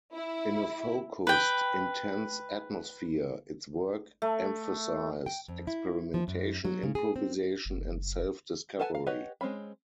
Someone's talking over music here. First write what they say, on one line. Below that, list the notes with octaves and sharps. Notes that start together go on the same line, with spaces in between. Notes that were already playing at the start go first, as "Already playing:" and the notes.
In a focused, intense atmosphere, its work emphasised experimentation, improvisation, and self-discovery.
E4
B4 G5
A3
G5
F2
E4
F3
F#2
F#3
C#3
G#4
C4
F#1
A4 B4 F#5 G#5 A5
F5
G4 B4 C#5 D#5 F#5
G#3 C4 C#4 B5